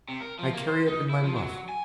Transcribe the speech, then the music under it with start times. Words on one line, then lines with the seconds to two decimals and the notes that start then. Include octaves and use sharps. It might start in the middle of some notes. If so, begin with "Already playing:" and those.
I carry it in my muff.
0.09 C3
0.20 A#4
0.39 F3
0.53 A#3
0.68 C5
0.88 D#4
1.09 E4
1.24 F3
1.36 F#3
1.69 G#5